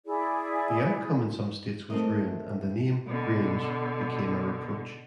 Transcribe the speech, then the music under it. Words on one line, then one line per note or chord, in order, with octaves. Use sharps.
The outcome in some states was ruin, and the name, Grange, became a reproach.
E4 G#4 D5
A3 C4 A#4 D#5
B2 D3